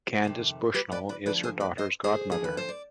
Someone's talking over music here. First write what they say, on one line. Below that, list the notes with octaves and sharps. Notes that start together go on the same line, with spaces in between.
Candace Bushnell is her daughter's godmother.
F2 C3 D#3
G4 B4
B4 D5
B4 D5
D2 D3 F3 B4 D5
G#4 C5
B4 D5
C5 D#5
G#4 C5
D2 D3 F3 G#4
B4
C5
D5